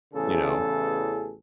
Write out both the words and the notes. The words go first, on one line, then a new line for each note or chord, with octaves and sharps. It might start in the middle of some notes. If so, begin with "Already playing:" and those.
you know,
A1 E2 C#3 G#4 A4